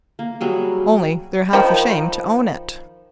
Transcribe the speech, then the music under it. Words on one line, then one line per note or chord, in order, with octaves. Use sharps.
Only they're half ashamed to own it.
A#3
F#3 G3 G#4
D#3 F3 B5